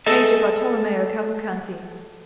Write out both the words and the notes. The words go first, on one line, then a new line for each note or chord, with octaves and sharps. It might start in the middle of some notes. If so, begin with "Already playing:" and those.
Major Bartolomeo Cavalcanti.
G#4 A4 D#5 E5